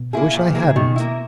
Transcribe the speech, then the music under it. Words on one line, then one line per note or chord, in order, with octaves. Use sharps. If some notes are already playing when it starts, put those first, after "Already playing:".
I wish I hadn't.
Already playing: B2
A#3 E4 G#4
A#2
E3
D#3 A#3 E4 G#4
C#3
B2 D#3
A#3 E4